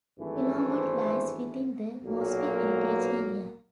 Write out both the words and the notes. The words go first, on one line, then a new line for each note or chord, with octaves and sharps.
Philomont lies within the Mosby Heritage Area.
G#1 G2 E3 A3
C5
B1 A#2 F#3 A#3
B4